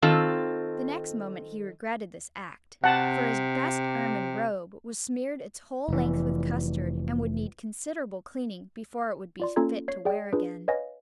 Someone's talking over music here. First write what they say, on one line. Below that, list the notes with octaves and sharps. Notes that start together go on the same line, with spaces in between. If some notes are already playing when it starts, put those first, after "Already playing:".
The next moment he regretted this act, for his best ermine robe was smeared its whole length with custard, and would need considerable cleaning before it would be fit to wear again.
D#3 C4 F4 A4
C3 F#5 A5
F1 E3
F4 D5 C6
A#3 C#4 F4 A4 A#5 G#6
C#5 C7
G#4 D5 G5
D4 F4 G#4 B4
B4 C#5 D#5 F5 G#5 A#6